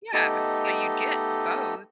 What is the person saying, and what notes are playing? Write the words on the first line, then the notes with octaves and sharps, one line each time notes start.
Yeah, so, you'd get both
A3 B3 D#4 G4 A4 D#5